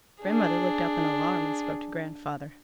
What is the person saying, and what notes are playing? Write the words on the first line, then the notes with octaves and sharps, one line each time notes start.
Grandmother looked up in alarm and spoke to grandfather.
D4 G#4